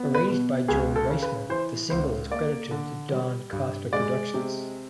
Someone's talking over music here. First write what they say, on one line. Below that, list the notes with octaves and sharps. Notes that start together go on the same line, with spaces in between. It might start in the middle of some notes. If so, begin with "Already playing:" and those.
Arranged by Joe Reisman, the single is credited to Don Costa Productions.
Already playing: B3
B4
B2
C#2 G#4
A4
C#3
B4
E3 C5
C#2 C5
A#3 D5
D3
G3
G2
G#3 D5
C3